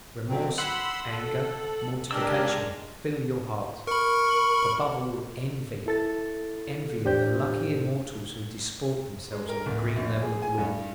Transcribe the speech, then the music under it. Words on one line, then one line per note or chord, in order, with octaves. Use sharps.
Remorse, anger, mortification, fill your heart; above all, envy--envy of the lucky immortals who disport themselves on the green level of Lord's.
B2 F#3 C4
F#5 B5 C6 E6
A4
G#3 D4 G4 A#4 D5 E6
A#4 B5 C#6
E4 A4 A6
E2 A2 D4 G4 C5 G6
G#3
A#4
D1
A#1
G#4
G#5
G2